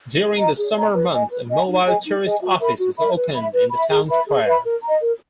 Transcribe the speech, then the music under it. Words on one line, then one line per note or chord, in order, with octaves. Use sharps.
During the summer months, a mobile tourist office is opened in the town square.
G#4
D#5 A#5
G#4
D#5 A#5
B4
D#5 G#5
B4
D#5 G#5
D#4
G#4 D#5 G#5
D#4
G#4 D#5 G#5
F#4
A#4 E5 B5
F#4
A#4 E5 B5
B4
E5 B5
B4
E5 B5
G#4
B4 E5 B5
G#4
B4 E5 B5
A#4
D#5 A#5
A#4